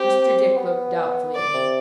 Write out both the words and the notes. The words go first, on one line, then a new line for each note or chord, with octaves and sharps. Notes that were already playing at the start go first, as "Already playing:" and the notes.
Mr. Dick looked doubtfully at me.
Already playing: C4 G4
B3
D5
C3